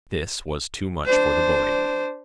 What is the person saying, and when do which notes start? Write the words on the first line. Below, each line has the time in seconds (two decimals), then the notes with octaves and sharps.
This was too much for the bully.
1.06 D4 C5